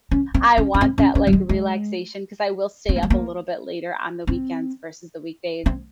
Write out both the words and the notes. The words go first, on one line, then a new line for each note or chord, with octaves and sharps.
I want that, like, relaxation 'cause I will stay up a little bit later on the weekends versus the weekdays.
C#4
C4
C#4
C#4
C4
C#4
C#4
G3
G#3
G#3
C4
A#3
G#3
A#3
C4
C4